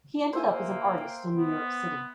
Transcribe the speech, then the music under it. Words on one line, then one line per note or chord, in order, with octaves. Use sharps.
He ended up as an artist in New York City.
A#3 C5 E5 G#5
G5
B3